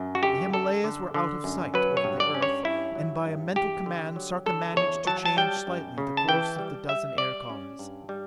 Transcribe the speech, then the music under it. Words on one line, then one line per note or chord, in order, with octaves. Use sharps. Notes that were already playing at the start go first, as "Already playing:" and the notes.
The Himalayas were out of sight, over the Earth, and by a mental command Sarka managed to change slightly the course of the dozen aircars.
Already playing: F#2
F#4
D3 G4
F#2 A4
D3
D3
F#2
F#3 B4
C#5
G2
D5
C#4
C#5
G2 E4
F#3
G2
E2 G4
D3
F#3
D3 A4
E2 C#5
F#3 A5
A5
G3 G5
F#2
C#3
A5
E3 G5
G3
G3 E5
G3 D5
C#4
G2
G3